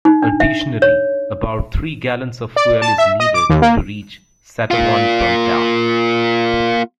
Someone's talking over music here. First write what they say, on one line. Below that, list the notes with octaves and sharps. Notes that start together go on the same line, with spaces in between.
Additionally, about three gallons of fuel is needed to reach Satowan from Ta.
D#4
D4
E5
C#5
D5
A5
E5
D#5
D6
D#2
A#3
A#3 F4